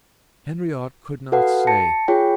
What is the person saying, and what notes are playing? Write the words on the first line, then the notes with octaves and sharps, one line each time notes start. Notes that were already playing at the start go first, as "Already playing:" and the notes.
Henriot could not say.
F#4 A4 B4 F5 F#5
A5 A#6 C#7
F4 G#4 C#5 G5